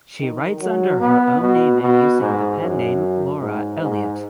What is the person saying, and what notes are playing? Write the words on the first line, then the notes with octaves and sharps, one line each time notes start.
She writes under her own name and using the pen name "Laura Elliot".
D#3
F#3
B3
B2
B2
G#2
F#2
G#2
G#2